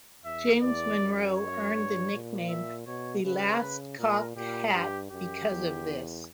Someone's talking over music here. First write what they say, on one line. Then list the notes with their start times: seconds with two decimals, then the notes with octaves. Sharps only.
James Monroe earned the nickname "The Last Cocked Hat" because of this.
0.25 E2 E5
0.62 E2 D5
0.99 F#2
1.37 C#5
1.75 G2
2.12 A#2
2.49 E5
2.87 B2 C#5
3.24 C#3 B4
3.61 C#3
3.99 A#2 A#4
4.36 A#2 G4
4.74 G2 G4
5.12 F#2 G4
5.49 E2